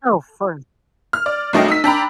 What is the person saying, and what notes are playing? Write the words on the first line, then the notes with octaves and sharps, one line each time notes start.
Oh, for
F6
D5
C2 F#3 A3 D4 D#5 G5
D#4 E6 B6
D4 G5 A#5 B5